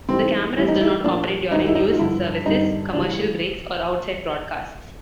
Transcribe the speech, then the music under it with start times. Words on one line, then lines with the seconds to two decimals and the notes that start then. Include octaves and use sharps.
The cameras do not operate during news services, commercial breaks, or outside broadcasts.
0.09 G#2 E3 G3 C4
0.57 A2 E3 G3 E4
0.68 D#4
0.80 E4
1.04 A#2 F3 D4
1.51 F#2 D#3 F#3 D#4
1.66 E4
1.75 D#4
1.92 F4
1.98 G2 D3 F3 E4
2.46 G2 D3 G3 D#4
2.93 C#3 E3 G3 D4